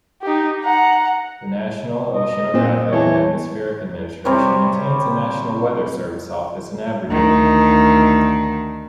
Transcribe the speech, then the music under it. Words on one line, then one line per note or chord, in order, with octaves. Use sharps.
The National Oceanographic and Atmospheric Administration maintains a National Weather Service office in Aberdeen.
D#4 G4
F#5 A#5
D#5
A#2 C4
E2 E3 C#5 A5
C3 G3 C#5
D2 D#3